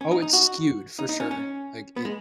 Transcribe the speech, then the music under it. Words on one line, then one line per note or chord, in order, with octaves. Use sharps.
Oh, it's skewed for sure. Like, it
C#4
D#4
D#4
F#4
D#4
D#4
C#4
C#4
B3
G#3